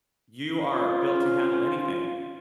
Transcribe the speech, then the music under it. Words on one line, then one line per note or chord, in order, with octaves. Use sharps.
You are built to handle anything.
C4 C#4 F4